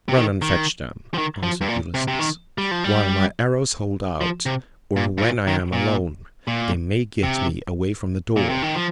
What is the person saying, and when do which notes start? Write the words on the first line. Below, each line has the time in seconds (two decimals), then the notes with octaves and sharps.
"Run and fetch them," answered Ulysses, "while my arrows hold out, or when I am alone they may get me away from the door."
0.09 C3
0.17 D#3
0.42 D#3
1.14 F3
1.18 D#3
1.43 F3
1.61 G2
1.68 A#2
1.94 C3
2.08 C3
2.19 D#3
2.58 G3
2.71 F3
2.84 G3
4.21 F3
4.46 C3
4.96 A#2
5.18 G2
5.22 A#2
5.47 D#3
5.73 A#2
6.47 A#2
7.23 C3
8.36 A#2
8.50 C3
8.62 D#3
8.75 F3